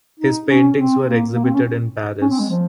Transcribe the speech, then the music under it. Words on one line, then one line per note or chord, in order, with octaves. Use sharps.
His paintings were exhibited in Paris.
D#4
C#4
C4
A#3
A#3
C4
C#4
C#4
C4
G#3
F3